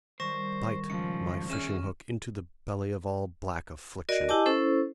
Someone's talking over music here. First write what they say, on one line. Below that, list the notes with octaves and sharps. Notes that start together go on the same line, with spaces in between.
Bite, my fishing-hook, into the belly of all black affliction!
D#3 G3 C5 C#6 A#6 E7
G#2 C#3 F3 C#7
C#4 G#4 E5 F6 D#7 E7
F#4 A#4 D5 D#5
E4 G4 D#5 G#5 A5 D6
C#4 E4 A4 C5